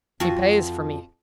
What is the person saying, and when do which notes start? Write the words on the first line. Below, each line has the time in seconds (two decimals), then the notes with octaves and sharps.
"He pays for me."
0.20 F2 F4 F#4